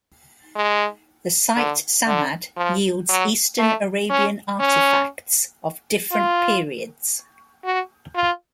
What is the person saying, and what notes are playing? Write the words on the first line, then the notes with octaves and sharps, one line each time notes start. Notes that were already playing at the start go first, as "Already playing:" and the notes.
The site Samad yields eastern Arabian artefacts of different periods.
G#3
D3
D3
F3
F#3
A3
C#4
C#4
F4
F#4
F4